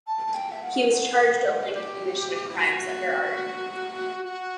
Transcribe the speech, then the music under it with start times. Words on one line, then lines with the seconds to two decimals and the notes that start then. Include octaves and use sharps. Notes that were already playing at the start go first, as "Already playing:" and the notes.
He was charged only with the commission of crimes under Art.
0.06 A5
0.34 G5
0.51 E5
0.62 F#5
0.90 F#5
1.64 F#4
1.74 G4
2.48 E4
2.58 F#4
4.25 F#4